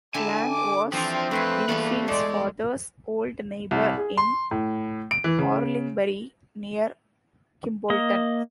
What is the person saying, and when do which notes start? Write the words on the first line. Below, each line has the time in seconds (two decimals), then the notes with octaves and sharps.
Lane was Wingfield's father's old neighbour in Orlingbury, near Kimbolton.
0.14 D3 E4 G4 E5 G#5 A5
0.49 D6
0.93 E3 F3 C4 D4 G5
1.31 F2 A3 B4 G5 G#5
1.69 E2 G3 A3 A#3 B5 C6
2.08 G#3 A4 D5 G5
3.71 C2
3.97 G#4
4.17 C6
4.51 A2
5.11 D7
5.24 E3
5.39 C#3
7.90 A#3 D#5